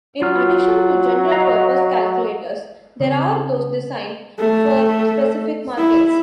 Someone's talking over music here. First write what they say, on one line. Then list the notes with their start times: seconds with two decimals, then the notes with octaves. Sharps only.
In addition to general purpose calculators, there are those designed for specific markets.
0.22 F#3 F4 F6
1.32 D#5 F5 A#5
3.00 C#3 C4
4.40 A3
5.78 E4